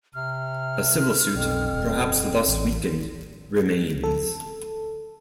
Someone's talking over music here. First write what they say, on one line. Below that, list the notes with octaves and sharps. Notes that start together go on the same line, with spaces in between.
A civil suit, perhaps thus weakened, remains.
C3 F6
B1 F2
D#1
A1
A4